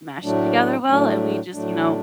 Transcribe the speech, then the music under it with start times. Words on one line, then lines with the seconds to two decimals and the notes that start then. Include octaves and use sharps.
mesh together well, and we just you know,
0.23 A2 F#3 A3 D4
0.88 A2 F#3 A3 D4
1.53 A2 F#3 A3 D4